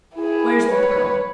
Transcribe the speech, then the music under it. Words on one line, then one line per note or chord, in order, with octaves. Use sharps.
Where's the Pearl?
E4 G#4
B4 C#5